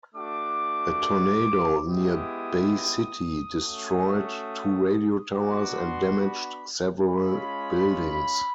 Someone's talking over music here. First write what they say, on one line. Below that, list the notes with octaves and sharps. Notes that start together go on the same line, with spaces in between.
A tornado near Bay City destroyed two radio towers and damaged several buildings.
A3 D4 F#4 D6
G#3 B3 E4 G4 D#6
A3 C#4 F#4
B3 D4 F#4 D6
C6
B5
G#3 C#4 F4 B5